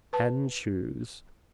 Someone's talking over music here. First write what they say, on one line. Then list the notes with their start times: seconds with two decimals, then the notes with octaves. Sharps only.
Tan shoes.
0.13 B4 A5